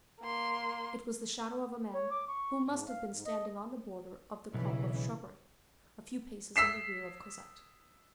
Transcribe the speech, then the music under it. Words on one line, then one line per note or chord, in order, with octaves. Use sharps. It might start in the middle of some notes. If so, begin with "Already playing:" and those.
It was the shadow of a man, who must have been standing on the border of the clump of shrubbery, a few paces in the rear of Cosette.
A#3 C6
C#5
D6
C#6
G#2
F5
G#2
D#5
B1 C#3 E3 E4
E6 B6 C7 E7